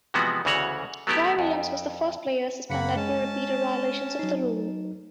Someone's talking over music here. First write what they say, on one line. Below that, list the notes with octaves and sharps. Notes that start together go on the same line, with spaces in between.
Roy Williams was the first player suspended for repeated violations of the rule.
C3 E3 F3 G#3 B3 F#4
D2 C#3 E3 F#4 C#5 F#5
F#3 A3 B3 E4 G4
F2
F#2 C#3 A#3 F#5 B5 C#7
G#3 C#4 A5
F#3 D#4